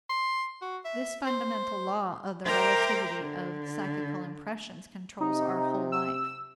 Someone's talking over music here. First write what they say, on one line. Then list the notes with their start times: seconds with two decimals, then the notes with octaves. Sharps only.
This fundamental law of the relativity of psychical impressions controls our whole life.
0.10 C6
0.62 F#4
0.85 E5
1.27 C5
2.46 A#4 C5 E5 G5 A#5 D6
3.21 D3
5.21 C3 D#4
5.92 E6